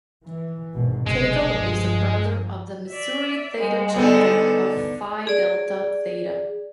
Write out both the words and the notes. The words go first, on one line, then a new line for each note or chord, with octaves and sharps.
Cagle is a brother of the Missouri Theta Chapter of Phi Delta Theta.
E3
G#1 G#2 B2
F#1 B1 C3 G#3
G2 F3
D5 E5
G3 G#3 C5
D3 B3 D#4 A4
G#4 D5